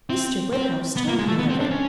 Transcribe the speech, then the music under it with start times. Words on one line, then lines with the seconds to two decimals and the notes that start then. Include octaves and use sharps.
Mr. Woodhouse told me of it.
0.10 C4
0.53 C4
0.96 B3
1.08 A#3
1.19 G#3
1.28 A3
1.39 B3
1.50 C4
1.60 D4
1.71 C#4